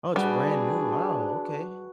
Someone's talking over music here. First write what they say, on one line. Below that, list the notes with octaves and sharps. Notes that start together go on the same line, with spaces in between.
Oh, it's brand new, wow, okay.
G3 D4 F#4 G#4 B4 G5